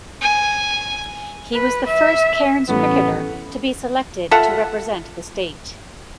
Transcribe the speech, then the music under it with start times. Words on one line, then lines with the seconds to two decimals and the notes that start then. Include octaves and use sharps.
He was the first Cairns cricketer to be selected to represent the State.
0.21 G#5
1.54 B4
1.87 E5
2.68 A1 G3 A3 B3 C#4
4.31 F4 A4 E5 F#5